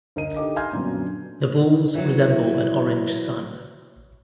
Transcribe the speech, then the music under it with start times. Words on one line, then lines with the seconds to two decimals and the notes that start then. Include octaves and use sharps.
The balls resemble an orange sun.
0.16 D2 A#4 D#5 D#7
0.36 D#4 G4 A4 D#5 D6
0.56 G#5 A#5 C6 F6 G6 G#6
0.72 F#2 A#2 D3 F#3 B3
1.95 E3 F#3